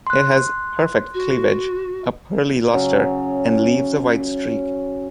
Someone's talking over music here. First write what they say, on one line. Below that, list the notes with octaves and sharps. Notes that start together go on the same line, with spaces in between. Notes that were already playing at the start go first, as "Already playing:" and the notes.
It has perfect cleavage, a pearly luster and leaves a white streak.
C6 F#6
F#4
C#3 F#3 C#4